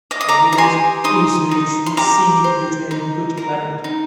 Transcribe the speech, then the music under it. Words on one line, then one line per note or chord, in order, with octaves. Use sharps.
The Village is rich with scenic beauty and good climate.
D#5 D6
D#6
A#5 D6
A#5
G4 G#5 C6
D#4 C6 D#6
D#4
C6
G4 A#5 D6
C5
D#4
A#4
D#4